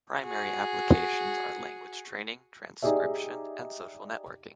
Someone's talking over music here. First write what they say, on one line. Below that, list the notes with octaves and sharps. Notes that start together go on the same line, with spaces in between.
Primary applications are language training, transcription and social networking.
F#4 G#4
D#4 G4 G#4 D5 E5